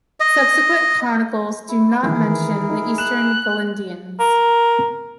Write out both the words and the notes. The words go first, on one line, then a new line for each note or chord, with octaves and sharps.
Subsequent chronicles do not mention the Eastern Galindians.
D#5
E4
D#3 E3 E4 G#4 A#4
D#4
F#6 E7
A#4